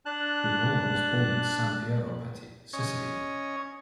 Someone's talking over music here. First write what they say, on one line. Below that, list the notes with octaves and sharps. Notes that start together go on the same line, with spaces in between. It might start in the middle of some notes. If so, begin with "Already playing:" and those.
Rugolo was born in San Piero Patti, Sicily.
D4 A5 F#6
C#4 C#5 D#5